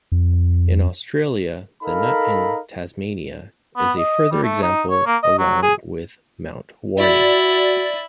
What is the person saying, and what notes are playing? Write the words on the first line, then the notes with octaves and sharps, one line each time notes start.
In Australia, the Nut in Tasmania is a further example, along with Mount Warning.
F2
D#4 A4 A#4 F5 B5
B3
D#5
G3
A3
D#4
C#5
A#3
D#5
F#3
G#4
E4 F#4 D5